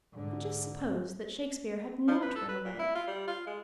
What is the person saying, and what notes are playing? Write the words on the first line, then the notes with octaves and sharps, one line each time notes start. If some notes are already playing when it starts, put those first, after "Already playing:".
But just suppose that Shakespeare had not run away!
G#2 D3
F3
B4
A4
B4
A#2
E4
F4
G3
F4
G#3